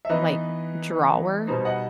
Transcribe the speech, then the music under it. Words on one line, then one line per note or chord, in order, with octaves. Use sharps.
like, drawer?
E5
E3 B3 D#4 B4 D#5
B2 G3 B3 D#4 C5
D#5 F#5